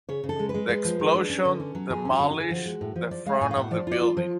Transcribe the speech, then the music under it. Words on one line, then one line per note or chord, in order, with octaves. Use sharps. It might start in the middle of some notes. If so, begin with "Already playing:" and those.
The explosion demolished the front of the building.
C#3 C#5
C#3
A4
G#3
B4
G#3
G#3
F3
G#3
D4
C#4
D3
C#4
F#3
F#3 G#4
C#4
F#4
D3
F#4
D3 G#4
F3 F#4
G#3
A2
F3
F3 D5
G#3 F5
A2 G#5
F5
A2 F#5
F3 D5
F4 D5
F4
F3